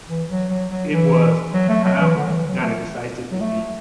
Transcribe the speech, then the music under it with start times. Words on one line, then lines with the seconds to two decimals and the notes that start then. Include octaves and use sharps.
It was, however, not a decisive defeat.
0.09 E3
0.29 F#3
0.50 F#3
0.70 F#3
0.91 E3
1.54 F#3
1.69 A3
1.85 F#3
2.01 E3
2.16 D3
2.26 F#3
2.32 E3
2.47 F#3
2.63 A3
3.32 F#3
3.41 A3